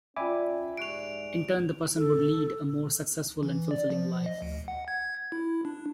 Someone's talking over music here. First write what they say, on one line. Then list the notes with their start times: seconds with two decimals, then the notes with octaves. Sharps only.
In turn, the person would lead a more successful and fulfilling life.
0.16 C#4 F4 D5 E5 G5 G#5 B5 D6
0.77 G#2 G4 D5 C#6 F#6 C7 D7 F7
1.97 A4
3.43 E3
3.71 D5
3.90 F3
4.26 D#5
4.42 D2
4.68 F#5
4.88 G#6
5.32 E4
5.65 D4